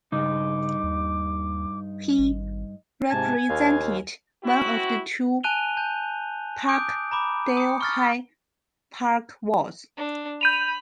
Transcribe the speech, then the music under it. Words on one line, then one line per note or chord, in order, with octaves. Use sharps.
He represented one of the two Parkdale-High Park wards.
G2 C#3 D#4 D6
D#2
G#1
G#2 C3 G#5 A5
D#2 F5
C4 E4 F#4
G#5 A5 F#6 D#7 F7 G7
A5 G6
D6 D#6 G6 D7
A#5 B5 D6
D#6 C#7
C#6 F6 A6
D4
B5 G6 D#7 F7